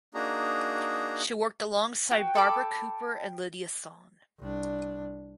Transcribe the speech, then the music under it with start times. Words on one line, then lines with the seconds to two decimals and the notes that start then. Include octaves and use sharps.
She worked alongside Barbara Cooper and Lydia Sohn.
0.14 A#3 D4 D#4 F#4 G#4 A#5
2.11 F#4 G5
2.35 A4 B5 D6
4.39 C2 D4